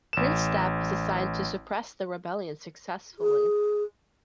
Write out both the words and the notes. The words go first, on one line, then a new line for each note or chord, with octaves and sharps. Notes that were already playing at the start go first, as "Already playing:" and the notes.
Prince Thap was assigned to suppress the rebellion, successfully.
A1 E7
G#4